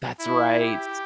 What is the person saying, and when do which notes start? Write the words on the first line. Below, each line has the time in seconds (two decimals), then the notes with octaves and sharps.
That's right.
0.19 E4
0.60 G4